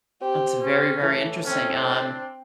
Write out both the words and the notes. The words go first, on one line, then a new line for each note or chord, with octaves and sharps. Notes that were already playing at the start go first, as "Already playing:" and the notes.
That's very, very interesting, um,
C4 G4
C#4
A2 E3
C4 C#4
D4